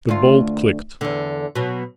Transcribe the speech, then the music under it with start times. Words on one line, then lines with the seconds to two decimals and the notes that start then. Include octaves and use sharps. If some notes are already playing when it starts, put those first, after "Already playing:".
The bolt clicked.
0.09 D2 F4
1.01 E2 D3
1.55 B2 F#3